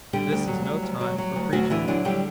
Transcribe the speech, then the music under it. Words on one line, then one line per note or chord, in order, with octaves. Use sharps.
This is no time for preaching!
D3 G3 G4
D2
F#3
F#3
D2
F#3
F#3
D2
D2 F#3 F#4
D3 E3 E4
D3 F#3 D4
D3 G3 G4